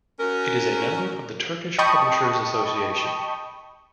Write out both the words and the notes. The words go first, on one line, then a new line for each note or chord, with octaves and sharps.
It is a member of the Turkish Publishers Association.
C#4 F#4 A#4
D#5 G5 A5 B5 C#6 D#6